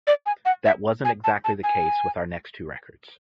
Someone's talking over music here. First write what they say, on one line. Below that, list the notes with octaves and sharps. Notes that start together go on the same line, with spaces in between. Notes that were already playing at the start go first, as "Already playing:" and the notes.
That wasn't exactly the case with our next two records.
D5
G#5
F#5
E5
G#5
A5
A5
G#5